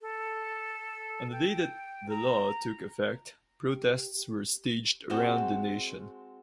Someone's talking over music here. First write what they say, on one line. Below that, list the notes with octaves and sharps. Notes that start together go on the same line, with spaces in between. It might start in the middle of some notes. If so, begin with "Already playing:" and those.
On the day that the law took effect, protests were staged around the nation.
A4
G5
A#5
G4
G#3 C4 F#4 A5